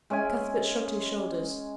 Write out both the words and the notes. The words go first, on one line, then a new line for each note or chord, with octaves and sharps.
Cuthbert shrugged his shoulders.
G#3 C#4 E5 G#5